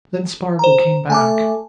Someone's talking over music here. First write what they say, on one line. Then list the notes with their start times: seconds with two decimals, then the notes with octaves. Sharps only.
Then Spargo came back.
0.59 C5 A#5
1.10 A3 G#5 A5 D6